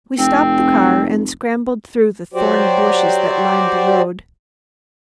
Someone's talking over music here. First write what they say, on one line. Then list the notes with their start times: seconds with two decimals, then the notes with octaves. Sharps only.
We stopped the car and scrambled through the thorny bushes that lined the road.
0.18 F1 C4
2.34 F#3 F#4 G4 C5 D5